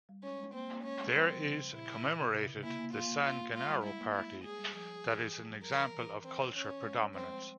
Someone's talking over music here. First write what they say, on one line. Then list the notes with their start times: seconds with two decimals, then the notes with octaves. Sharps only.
There is commemorated the "San Gennaro Party" that is an example of culture predominance.
0.09 G3
0.23 G#3 C#4
0.39 G#3
0.53 A#3 C4
0.69 A#3
0.83 G#3 C#4
0.98 G#3
1.14 G3 C4
1.29 F3
1.43 C#3
1.73 A#2 E4
2.03 A#2
2.18 C3
2.34 C3
2.49 C#3
2.63 A#3 E4
2.79 A#3
2.93 F4
3.05 A#3
3.23 F4
3.32 A#3
3.53 G#3 F4
3.69 G3
3.83 G#3 E4
3.99 A#3
4.13 G#3 E4
4.44 G#3 G#4
4.58 G3
4.73 F3 G#4
5.04 E3
5.19 E3
5.34 F3
5.49 G3
5.64 F3 A#4
5.94 E3
6.23 E3 C4
6.54 C#4
6.84 G#3
7.00 G3
7.14 F3 C4
7.29 G#3